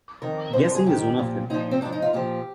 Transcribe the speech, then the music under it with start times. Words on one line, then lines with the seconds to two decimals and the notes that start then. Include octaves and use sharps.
Guessing is one of them.
0.22 F2 D#3 A#4
0.53 F2 D3 F3 C5
0.64 A#4
0.75 G#4
0.86 G#2 D#3 G4
1.17 A#2 F3
1.50 A#2 F3 D#4
1.71 C4
1.81 G#2 F3 D4
1.92 D#4
2.02 F4
2.13 A#2 F3 G4